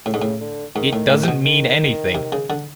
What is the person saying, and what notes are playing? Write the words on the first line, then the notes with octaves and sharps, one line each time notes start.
It doesn't mean anything.
A2 C#3
G#2 D3
A2 C#3
D3
G#2 D#3
A2
A2
C3
B2
D#3
C3
C#3
D3